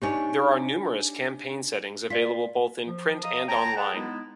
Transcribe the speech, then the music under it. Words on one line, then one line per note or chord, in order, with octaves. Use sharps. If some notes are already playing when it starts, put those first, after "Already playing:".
There are numerous campaign settings available both in print and online.
D4 D#4 G4 C#5 G#5
F4 D5 B6
F3
D#5 F5 A#5 D#6
C#5 G5 A5 A#5
G#4 B4 F#5 G5 A5
G#3 B3 D#4 E4